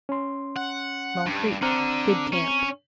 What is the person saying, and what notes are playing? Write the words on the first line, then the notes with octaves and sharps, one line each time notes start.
Small Creek.--Good camp.
C#4 C6
F#5
G2
D3 C4 A#5 F6
C#4